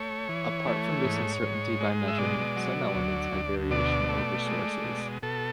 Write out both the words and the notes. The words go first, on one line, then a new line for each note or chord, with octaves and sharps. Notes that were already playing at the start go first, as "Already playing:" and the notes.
Apart from this uncertainty by measurement, some elements have variation over sources.
Already playing: A3 C#5
E3
A3
G#2
G#2
G#3
E5
B2 D5
F#3
D2
D2
B2 D5
A3
G#3
B2
B2 A4